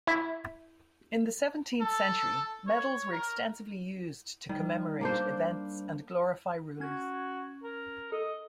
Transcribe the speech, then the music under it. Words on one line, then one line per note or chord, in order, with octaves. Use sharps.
In the seventeenth century medals were extensively used to commemorate events and glorify rulers.
E4
A4
C#5
A#4
D#3 G3
A#3 D4 C5
C#4 F#4 G#6
A#4
A4 D#5